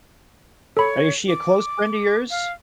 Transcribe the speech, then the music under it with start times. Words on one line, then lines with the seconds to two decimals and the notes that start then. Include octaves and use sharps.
Uh, is she a close friend of yours?
0.77 A4 C#5 B5
1.28 D6
2.30 F5